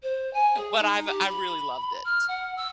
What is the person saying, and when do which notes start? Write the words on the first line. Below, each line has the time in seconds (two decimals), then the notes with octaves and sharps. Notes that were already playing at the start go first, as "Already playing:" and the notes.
but I've I've really loved it.
0.02 C5
0.33 G#5
0.57 G#4
0.78 D#4
1.06 G4
1.25 B5
2.04 F6
2.28 F#5
2.56 E6